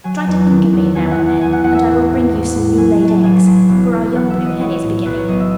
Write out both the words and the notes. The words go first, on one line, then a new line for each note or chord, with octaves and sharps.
Try to think of me now and then, and I will bring you some new-laid eggs, for our young blue hen is beginning.'
F#3 G#5
E2
D#3
E2
E2 G#5
F#5
E2
F#5
E2 G#5
F#5
E2 F#5
E5
A1
A1
A1
A2
F#3 G#5
A5
F#3
A5
A1 G#5
A1
B1
B1
E3 F#5
E5
E3
D#5
E3 C#5
A2
B1 B4
C#5
B1 D#5
E5